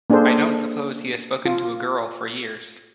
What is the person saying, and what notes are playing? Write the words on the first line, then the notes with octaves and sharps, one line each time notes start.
I don't suppose he has spoken to a girl for years.
A#3 D4 G#4 A4 C5
F4